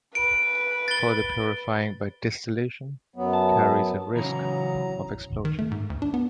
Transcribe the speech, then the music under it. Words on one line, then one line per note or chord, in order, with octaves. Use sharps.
Further purifying by distillation carries a risk of explosion.
B4 D7
A6 G7
F#2 F#3 B3
A5
C#3 E3 F#3 A#5
D#3
A3
G#2
D2
D4
B3